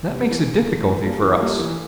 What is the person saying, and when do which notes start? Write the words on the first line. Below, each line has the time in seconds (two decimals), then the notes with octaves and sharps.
That makes a difficulty for us.
0.08 C3
0.27 E3 A3
0.46 C3
0.65 E3 A3
0.84 E3
1.03 G3 A#3 F4 A4
1.22 E3
1.41 G3 A#3 F4 A4
1.59 E3